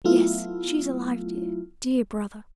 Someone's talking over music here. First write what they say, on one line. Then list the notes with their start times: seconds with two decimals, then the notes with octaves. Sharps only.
'Yes, she is alive, dear, dear brother!
0.04 F#3 A3 B3 E4 F4